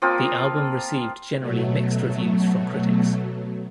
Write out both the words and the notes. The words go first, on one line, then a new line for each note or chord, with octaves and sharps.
The album received generally mixed reviews from critics.
F3 A#3 C4 F4
B2 F#3 A3